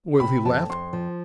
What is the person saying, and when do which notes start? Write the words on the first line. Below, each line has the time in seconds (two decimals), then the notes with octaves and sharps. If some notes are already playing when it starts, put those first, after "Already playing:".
Will he laugh?
0.20 C3 B5
0.45 F2 A5
0.69 F2 C6
0.93 F3